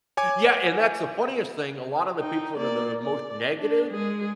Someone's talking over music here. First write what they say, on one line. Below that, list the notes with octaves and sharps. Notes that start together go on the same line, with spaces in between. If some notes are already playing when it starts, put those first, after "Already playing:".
Yeah, and that's the funniest thing, a lot of the people that are the most negative,
C#5 G#5 D6 G#6
D#4 G5
A#3 D5
D5
D4
G#3 G#4